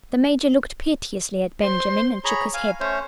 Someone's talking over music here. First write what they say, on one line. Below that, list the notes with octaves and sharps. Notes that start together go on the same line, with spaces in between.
The Major looked piteously at Benjamin, and shook his head.
C5 C6
G#4 C#5 A#5 B5
F5 G#5
A3 C#4 C5 C#5